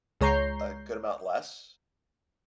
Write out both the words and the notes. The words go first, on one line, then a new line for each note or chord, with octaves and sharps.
a good amount less
C#2 G#3 C#5 A#5 G6 C7